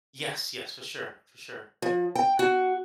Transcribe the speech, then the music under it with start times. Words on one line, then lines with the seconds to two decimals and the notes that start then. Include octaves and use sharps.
Yes, yes, for sure, for sure.
1.82 F3
2.15 G5
2.39 F#4